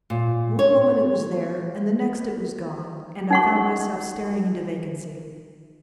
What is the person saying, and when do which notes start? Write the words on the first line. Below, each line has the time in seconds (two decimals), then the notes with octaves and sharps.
One moment it was there and the next it was gone, and I found myself staring into vacancy.
0.10 A#2
0.59 C#5
3.31 D#4 F#5 C#6